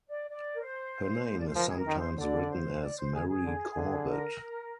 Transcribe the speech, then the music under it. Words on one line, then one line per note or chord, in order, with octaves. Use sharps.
Her name is sometimes written as Mary Corbet.
D5
D5
A#4
C5
D5
C5
F3 A#4
G#4
A#4
D#3
C5
D3 D5
C5
D5
C5
G#4
G#4
D3
D3
A#4